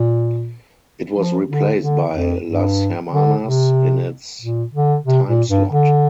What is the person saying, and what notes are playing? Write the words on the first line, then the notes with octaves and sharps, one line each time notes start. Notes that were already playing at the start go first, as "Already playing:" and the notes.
It was replaced by "Las Hermanas" in its timeslot.
Already playing: A#2
F3
D3
D3
F2
G2
D3
C3
A#2
D3
C3
A#2
G2
D3